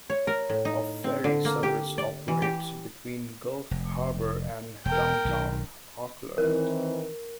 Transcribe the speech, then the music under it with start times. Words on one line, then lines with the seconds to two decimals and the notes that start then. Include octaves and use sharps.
A ferry service operates between Gulf Harbour and downtown Auckland.
0.10 C#5
0.27 A#4
0.49 A2
0.65 D#4
1.04 C4
1.24 D3
1.45 A#3
1.63 G4
1.98 D5
2.28 E3
2.42 G4
3.71 F1
4.86 E1 A#4 G5
5.25 B1 D#3
6.38 D#3 E3 C4 A#4